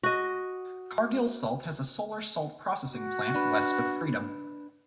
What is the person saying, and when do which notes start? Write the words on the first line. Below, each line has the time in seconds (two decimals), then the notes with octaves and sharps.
Cargill Salt has a solar salt processing plant west of Freedom.
0.03 F#4 D#5
2.93 F#4
3.34 D4 B4